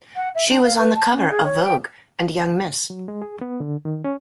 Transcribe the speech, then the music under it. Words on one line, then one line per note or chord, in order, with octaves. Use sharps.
She was on the cover of "Vogue" and "Young Miss".
F#5
E5
D4
F5
B4
A5
C#4
G#4
C#5
G5
F#3
G#3
G#4
B3
D3
D#3
C#4